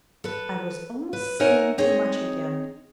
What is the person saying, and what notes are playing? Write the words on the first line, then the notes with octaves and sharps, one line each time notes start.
I was almost saying too much again.
A4 B4
B4
D#4 A#4 C#5 E5 F#5 G#5
C4 D#4 G#4 C#5 D#5